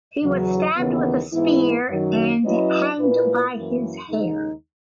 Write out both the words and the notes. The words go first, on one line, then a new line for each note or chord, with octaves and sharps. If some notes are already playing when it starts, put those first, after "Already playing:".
He was stabbed with a spear and hanged by his hair.
E2 C#3 F#3
D#2 C#3 E3 B3
G#2 E3 B3 E4
F#2 D#3 F#3
F#3 C#4 E4 B4 D#5
A#2 A#3 E4 B4
F#2 E3 A#3 E4
D#2 C#3 G#3 D#4